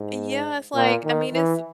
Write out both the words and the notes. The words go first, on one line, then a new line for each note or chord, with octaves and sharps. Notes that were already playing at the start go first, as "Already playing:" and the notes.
Yeah, it's like, I mean, it's
Already playing: G#2
A#2
D#3
E3